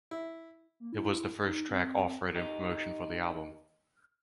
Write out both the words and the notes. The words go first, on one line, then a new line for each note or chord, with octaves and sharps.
It was the first track offered in promotion for the album.
E4
A#3
E4
D#4
C4
D#4 G4